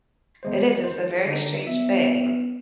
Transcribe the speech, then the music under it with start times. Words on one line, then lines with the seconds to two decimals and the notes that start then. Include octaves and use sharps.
it is, it's a very strange thing.
0.43 E2 G#3 C5
0.84 G#1 C5
1.26 D3 D#4
1.67 B3 E5